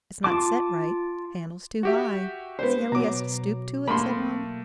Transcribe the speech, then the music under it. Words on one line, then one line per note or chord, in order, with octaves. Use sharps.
"It's not set right; handle's too high; see how he has to stoop to it," said one.
F4 A5 D6
F#4 G4 E5
B3 C5
B2 F#3 A#5 D6
A3 A#3 B5 C6